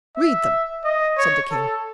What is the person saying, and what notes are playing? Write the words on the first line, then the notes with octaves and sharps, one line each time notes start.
'Read them,' said the King.
E5
D#5
C#5
A4